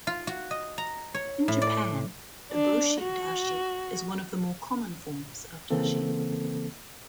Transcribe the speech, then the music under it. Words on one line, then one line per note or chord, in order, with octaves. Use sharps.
In Japan, "niboshi dashi" is one of the more common forms of dashi.
F4
F#4
D#5
A#5
C#5
A2
D5
D4
F#4
C#3 E3 A#3 C4 A4